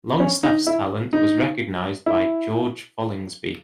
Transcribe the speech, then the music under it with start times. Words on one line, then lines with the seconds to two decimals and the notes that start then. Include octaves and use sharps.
Longstaff's talent was recognised by George Folingsby.
0.20 C#4
0.43 D#4
0.67 E4
1.13 D#4
2.06 E4